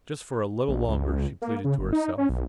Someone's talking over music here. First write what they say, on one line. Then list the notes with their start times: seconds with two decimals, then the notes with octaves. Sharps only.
Just for a little longer, she pleaded to herself.
0.68 A#1
0.88 C#2
1.42 A#3
1.64 C#3
1.79 G1
1.93 D#4
2.18 C#4
2.29 B1